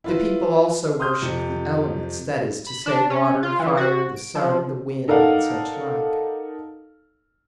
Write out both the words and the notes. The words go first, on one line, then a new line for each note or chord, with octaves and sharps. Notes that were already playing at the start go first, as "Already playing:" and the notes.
The people also worshipped the elements--that is to say, water, fire, the sun, the wind, and such like.
E4 F4 B4
C6 D#6 F6 G6
F2 C3 C#7
B5
D4
C#4
F4
E3
F#4
D7
F3
D#4 A4 A#4 D5 F5 F#5